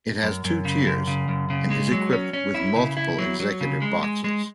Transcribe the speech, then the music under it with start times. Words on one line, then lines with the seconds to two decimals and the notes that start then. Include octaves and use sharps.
It has two tiers and is equipped with multiple executive boxes.
0.23 F#2
0.44 F#2
0.65 C#3
0.86 F#2
1.07 C#3
1.28 F#2
1.50 C#3
1.70 G#3
1.92 F#3
2.13 C#4
2.33 C#4
2.55 E4
2.76 C#3
2.97 E4
3.19 F#3
3.40 F#3
3.61 C#3
3.82 G#3
4.03 G#3
4.24 G#3